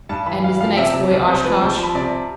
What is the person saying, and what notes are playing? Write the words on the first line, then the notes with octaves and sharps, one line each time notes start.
"And is the next boy Oshkosh?"
G2 A5
E3 B5
G2 F5
F3 F5
C3 E5
C3
C2
C3 C5
F3 B4
C2 C5
A5
F3
B5
C3 D5